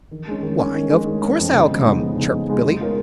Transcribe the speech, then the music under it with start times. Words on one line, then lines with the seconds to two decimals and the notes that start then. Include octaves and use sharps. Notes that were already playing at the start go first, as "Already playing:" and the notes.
"Why, of course I'll come," chirped Billy.
0.11 D#3
0.27 G#3 C#4
0.43 D#3
0.59 G#3 C#4
0.74 D#3
0.90 G#3 C#4
1.06 D#3
1.21 G#3 C#4
1.37 F2
1.53 C#3 G#3 B3 D#4
1.69 F2
1.85 C#3 G#3 B3 D#4
2.01 F2
2.16 C#3 G#3 B3 D#4
2.33 F2
2.48 C#3 G#3 B3 D#4
2.64 G#3
2.79 B3 F4 A#4 C#5